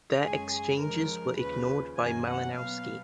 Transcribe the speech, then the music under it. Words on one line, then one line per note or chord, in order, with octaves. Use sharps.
Their exchanges were ignored by Malinowski.
F#2 C#3 G#3 C#4 G#4
G#4
C#3 F3 G#3 A#4
D#2 C#3 F3 B4
F#2 D#3 A#3 C#4 G#5
F#5
B2 F#3 B3 F5